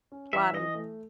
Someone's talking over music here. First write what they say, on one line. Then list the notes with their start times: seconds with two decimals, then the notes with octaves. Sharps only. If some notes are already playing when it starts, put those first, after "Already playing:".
plot of,
0.12 C#4
0.33 E3 E5
0.54 E3 D#5
0.75 A3